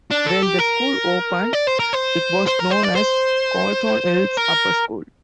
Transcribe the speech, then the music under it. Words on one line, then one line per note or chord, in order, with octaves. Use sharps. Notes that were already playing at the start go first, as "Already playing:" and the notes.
When the school opened it was known as Colton Hills Upper School.
D4
A4
G4
A#4
D5
C5
A#4
C5
C5
A#4
C5
D5
C5
A#4